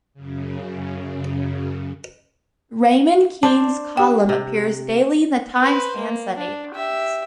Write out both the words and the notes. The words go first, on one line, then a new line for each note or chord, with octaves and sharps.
Raymond Keene's column appears daily in "The Times" and "Sunday Times".
F#2 C#3
D4 C5 A5
G4 G5
C3
B4 C5
A#3
D4
G4 E5